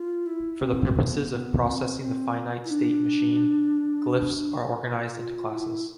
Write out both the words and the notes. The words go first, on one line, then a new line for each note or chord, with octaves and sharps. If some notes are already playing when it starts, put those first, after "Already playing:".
For the purposes of processing the finite state machine, glyphs are organized into classes.
Already playing: F4
E4
C4
B3
B3
C4
C4
E4
D4
F4
E4